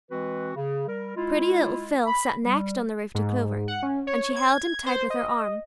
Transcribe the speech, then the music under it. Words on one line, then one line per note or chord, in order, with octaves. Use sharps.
Pretty little Phil sat next on the roof to Clover, and she held him tight with her arm.
E3 G#3 C4 F#4 B4
C#3
G3 A#4
G#3 E4 F4
B5
G3
G#2
F#5
C#4
C#5
G#6
C5
D#5